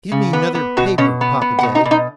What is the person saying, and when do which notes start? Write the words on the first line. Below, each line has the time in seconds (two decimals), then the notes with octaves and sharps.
"Give me 'nother paper, Papa-day."
0.12 C#3
0.33 B3
0.55 B3
0.77 B2 F#4
0.98 B2 C#4
1.21 B3
1.42 B3
1.59 F#5
1.63 B2
1.75 D#4
1.85 B2
1.91 D#4